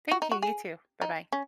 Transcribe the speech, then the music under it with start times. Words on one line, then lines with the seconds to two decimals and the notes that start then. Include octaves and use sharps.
Thank you, you too. Bye-bye.
0.12 F#4
0.22 D#4
0.32 F#4
0.42 G#4
1.02 D#4
1.32 C#4